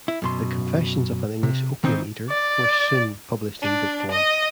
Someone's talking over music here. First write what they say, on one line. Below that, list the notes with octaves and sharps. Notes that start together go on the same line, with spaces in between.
The "Confessions of an English Opium-Eater" were soon published in book form.
E4
F#2 B2 C6
C3
D#3 E3 C4 D#4
D5
D4
D#5